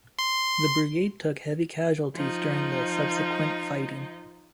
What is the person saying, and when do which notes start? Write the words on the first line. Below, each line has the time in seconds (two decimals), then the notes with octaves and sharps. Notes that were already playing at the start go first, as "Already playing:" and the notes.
The brigade took heavy casualties during the subsequent fighting.
0.19 C6
2.16 F3 D#4